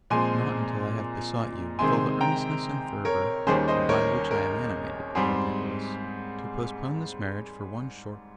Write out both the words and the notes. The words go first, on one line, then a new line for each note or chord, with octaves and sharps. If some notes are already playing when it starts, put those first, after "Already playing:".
'Not until I have besought you, with all the earnestness and fervour by which I am animated,' cried Nicholas, 'to postpone this marriage for one short week.
A#2 F3 G#3 C4 G#5 C6
C3 D#3 G#3 C4 G#5 C6
G5 A#5
A#4 C#5
D#2 D#3 G3 C#4 G#4 C5
C5 D#5
A#4 C#5
A#4
G#2 G3 C4 G#4